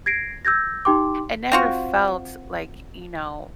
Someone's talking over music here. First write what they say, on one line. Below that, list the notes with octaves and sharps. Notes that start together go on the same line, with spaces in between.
It never felt like, you know
G#6 A#6 C7 D7
E6 G6 G#6 A#6
D#4 G4 G5 C6 D6
C4 F4 F#4